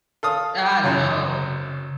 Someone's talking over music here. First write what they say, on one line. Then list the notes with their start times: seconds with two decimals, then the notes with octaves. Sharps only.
Ah, no.
0.23 A4 F5 D#6
0.84 G#1 F#2 C#3 F#3